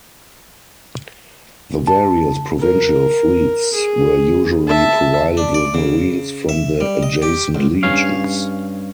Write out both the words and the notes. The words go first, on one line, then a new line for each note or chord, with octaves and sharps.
The various provincial fleets were usually provided with marines from the adjacent legions.
A5
A#4
G#4
E5 A5
D4
D5
C#3
E5
G3
D#5
G4
C#2
G2 C#4 C#5 F5